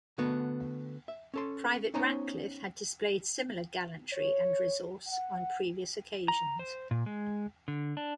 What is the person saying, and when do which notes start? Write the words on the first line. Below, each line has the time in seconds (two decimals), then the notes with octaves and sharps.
Private Ratcliffe had displayed similar gallantry and resource on previous occasions.
0.18 D3 A3 B3 F#4
1.08 E5
1.34 C#4 A4 C6
1.94 B3 C#4 D#4 C5 C#5 A#5
4.12 C#5
5.07 F#5
6.28 A#5
6.59 C5
6.91 A#2
7.06 G#3
7.68 D3
7.97 D4